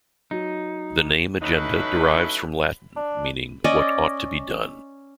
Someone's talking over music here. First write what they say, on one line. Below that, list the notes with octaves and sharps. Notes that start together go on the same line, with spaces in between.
The name Agenda derives from Latin meaning "what ought to be done".
F#3 D#4
F#3 A3 C#4 D#4 E4 B4
D4
C#4 D5 D#5